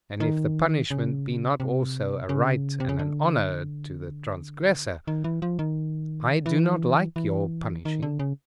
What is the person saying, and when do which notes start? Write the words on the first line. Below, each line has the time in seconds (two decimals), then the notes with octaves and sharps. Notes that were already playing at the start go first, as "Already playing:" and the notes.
And if the punishment be not also a right and an honour to the transgressor, I do not like your punishing.
0.20 D#3
0.91 C#3
1.60 C3
2.29 C#3
2.80 C3
2.89 C#3
2.99 D3
5.07 D#3
5.24 E3
5.42 F3
5.59 D#3
6.46 E3
7.16 E3
7.85 D#3
8.02 D3
8.19 C#3